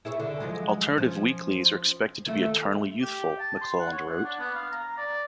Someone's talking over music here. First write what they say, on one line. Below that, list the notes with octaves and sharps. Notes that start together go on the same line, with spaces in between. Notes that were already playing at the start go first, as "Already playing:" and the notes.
"Alternative weeklies are expected to be eternally youthful," McClelland wrote.
E4 G#4 C#5
D3
F3 F#3 G#3
F3 C#4
D#3 A3 F4
G4
A5
C6
F#5
C#5
F#5
D4
B3
F5
A#5
D5